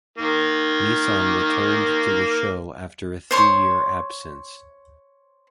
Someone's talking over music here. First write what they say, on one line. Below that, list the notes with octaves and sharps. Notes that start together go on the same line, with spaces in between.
Nissan returned to the show after a three-year absence.
D#3 A#3
C5 C#5 C6